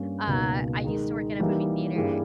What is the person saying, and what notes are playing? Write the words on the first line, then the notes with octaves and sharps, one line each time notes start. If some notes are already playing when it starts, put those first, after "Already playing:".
uh, I used to work in a movie theater,
Already playing: G2 G3 A#3 C#4
C#2 B2 A#3 D#4
D#3 G#3 D#4 A#4
E3 G3 A#3 D#4 G4
G2 G3 A#3 E4 G#4